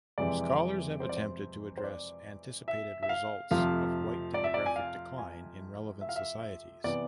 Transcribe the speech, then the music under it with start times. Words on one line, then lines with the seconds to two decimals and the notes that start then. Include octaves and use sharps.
Scholars have attempted to address anticipated results of white demographic decline in relevant societies.
0.18 F2 C3 E3 G#3 D5
1.00 C5
1.09 D5
1.17 C5
1.78 C5
1.84 D5
2.68 E5
3.03 E5
3.09 F5
3.51 F2 C3 F3 A3 F5
4.34 D5
4.44 E5
4.54 D5
4.66 G#5
4.76 F5
5.18 G#5
6.01 E5
6.09 F5
6.16 E5
6.84 C3 E3 B3 D5